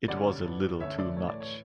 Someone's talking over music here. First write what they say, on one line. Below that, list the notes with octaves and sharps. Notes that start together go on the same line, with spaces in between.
It was a little too much.
F#2 D3 G3 C#4 D5 F#5
G2 E3 B3
D2 D3 A3 C#4 C#5 E5
D5
A2 E3 A3 C#5
D5
C#5